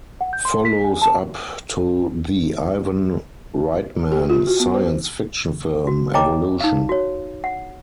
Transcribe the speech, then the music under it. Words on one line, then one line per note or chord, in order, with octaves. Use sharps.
Follows up to the Ivan Reitman science fiction film, "Evolution".
F#5
G6
C6
B6
G#5
A5
G4
F4
F#4
B3
C5
F#4
C#5 D#5 G5 A5 A#5 D6
D#4 F5
F#4 C#5
F#5